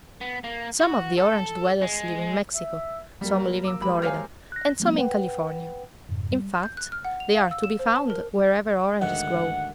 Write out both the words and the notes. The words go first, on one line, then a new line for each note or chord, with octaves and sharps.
Some of the Orange-dwellers live in Mexico; some live in Florida, and some in California; in fact they are to be found wherever oranges grow.
B3
A#3
F#4
A4
G#3
E5
F#3 G3 A#3 A#4
D6 E6
G#3 G4 C5 B5
A#4 C5 C#5 F5 G#5 F6
F#6 A#6
F3 G3 A3 B3 C4
B4 F#5 G5
F2 G#2 C#3
G3
G6
F#6
F6
F#5
F7
F5
E6
E7
C5
A5
A#4
D2 G#2 D#3 F#5